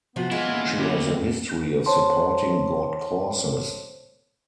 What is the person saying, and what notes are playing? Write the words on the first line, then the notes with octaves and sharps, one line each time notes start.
She has a history of supporting good causes.
C3 F3 B3 F#4
E3 G#3 E4 F4
E2 A#2
D2 A#3 E4 G4
C5 C#5 A5 C6